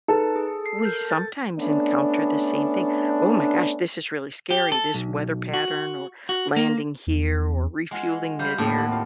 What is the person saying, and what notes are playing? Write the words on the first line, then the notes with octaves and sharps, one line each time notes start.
we sometimes encounter the same thing. 'Oh my gosh. This is really scary. This weather pattern or landing here or refueling midair.'"
D#4 A4 B4 A5
G#4
C7
A#4 G6
A6
A3 B3 C#4 D4
G4
A4
B1
F#4
F#4
A#3
E2
G#3 F4 F#5 C6
G3 C5 F5 B5
D#2 A2
G4 F#5
C4 F4